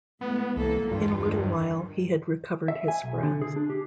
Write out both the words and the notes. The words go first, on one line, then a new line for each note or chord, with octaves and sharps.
In a little while he had recovered his breath.
A2 G#3 B3
C2 E3 A#3 A4
E2 G2 F4
D#3
E5
G#5
B1
D3
G#4
D4
G4